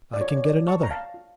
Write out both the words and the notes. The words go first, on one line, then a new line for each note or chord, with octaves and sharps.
'I can get another.
D5
F4 C#5
C#5
D5
A4
A5 C#6
F4 A#5
F5 A5
F4